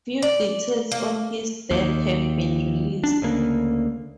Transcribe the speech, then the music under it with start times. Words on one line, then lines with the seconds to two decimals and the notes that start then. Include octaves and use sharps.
Few details on his death have been released.
0.22 D5
0.92 A#3
1.71 D#2
3.04 D4
3.22 D2 C#3 A#3